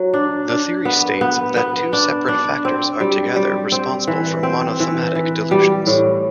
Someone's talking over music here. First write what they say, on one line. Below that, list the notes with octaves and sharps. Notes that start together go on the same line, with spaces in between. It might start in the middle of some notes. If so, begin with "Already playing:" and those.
The theory states that two separate factors are together responsible for monothematic delusions.
Already playing: F#3
D4
D4
B3
B3
B3
D4
D4
C4
G3
G3
C4
E3
C4
E3
E3
G3
A2